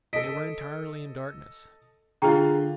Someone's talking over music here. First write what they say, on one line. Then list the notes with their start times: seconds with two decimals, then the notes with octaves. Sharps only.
They were entirely in darkness.
0.13 A4 D#5 B6 D7
2.22 D3 F4 G#4 G5 A#5